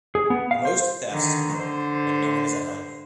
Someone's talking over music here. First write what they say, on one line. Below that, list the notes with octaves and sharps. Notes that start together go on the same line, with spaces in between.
Most thefts occur when no one is at home.
G#4
B3
F5
C5
D3 D#3
D3 C5